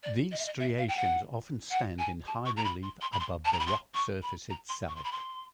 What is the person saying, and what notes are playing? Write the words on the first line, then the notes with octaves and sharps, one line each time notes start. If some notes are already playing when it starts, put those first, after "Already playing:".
These striations often stand in high relief above the rock surface itself.
D5
D#5
E5
D#5
E5
F5
G5
F#5
F#5
G#5
A5
C#6
A#5
B5
C6
C6
B5
C6
A5
A#5
B5
C6
C#6
B5
A#5
C6
C#6
C6
B5
C6